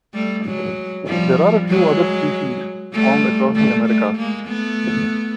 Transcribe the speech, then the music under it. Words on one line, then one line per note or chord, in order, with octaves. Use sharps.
There are a few other species found across the Americas.
G3 A3
F#3 G#3
F3 G3
F#3 G#3
G3 A3
G3 A3
G3 A3
G#3 A#3
A3 B3